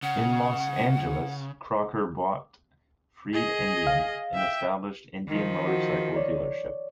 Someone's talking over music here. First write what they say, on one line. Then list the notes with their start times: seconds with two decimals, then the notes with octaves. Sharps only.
In Los Angeles, Crocker bought Freed Indian, an established Indian Motorcycle dealership.
0.03 C#3 F#5
3.33 G#4 D#5
3.87 F5
4.34 E5 G5
5.27 D#3 F3
5.67 F#4
6.16 C#5 D5